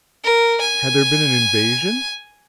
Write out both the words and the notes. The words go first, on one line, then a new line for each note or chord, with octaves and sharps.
Had there been an invasion?
A#4
G#5